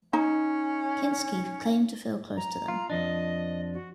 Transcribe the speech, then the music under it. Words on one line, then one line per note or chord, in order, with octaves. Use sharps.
Kinski claimed to feel close to them.
C#4 D#4
A#5
F4
F2 F3 D4 D#5
F#4